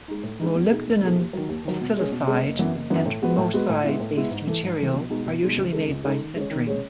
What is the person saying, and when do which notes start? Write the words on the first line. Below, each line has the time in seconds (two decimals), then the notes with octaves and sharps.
Molybdenum disilicide and MoSi-based materials are usually made by sintering.
0.08 G#3 D#4
0.23 A2
0.40 G#3 D#4
0.55 E2
0.71 B2 A3 D#4 G#4
0.87 E2
1.02 B2 A3 D#4 G#4
1.18 D#2
1.33 D#3 F#3
1.49 D#2
1.65 D#3 F#3
1.81 B2
1.97 G#3 C#4 G#4
2.11 B2
2.27 G#3 C#4 G#4
2.43 F#1
2.59 F#2 E3 B3
2.75 F#1
2.90 F#2 E3 B3
3.06 A2
3.22 G#3 B3 F#4 B4
3.38 A2
3.54 G#3 B3 F#4 B4
3.69 A2
3.84 G#3 B3 E4
4.00 A2
4.16 G#3 B3 E4
4.31 G#2
4.47 E3 A3
4.63 G#2
4.78 E3 A3
4.93 B1
5.10 B2 G#3 D#4
5.26 B1
5.41 B2 G#3 D#4
5.56 C#2
5.72 C#3 G#3 D#4 A4
5.88 C#2
6.04 C#3 G#3 D#4 A4
6.19 D#3
6.35 G#3 C#4 G#4 C#5
6.51 D#3
6.66 G#3 C#4 G#4 C#5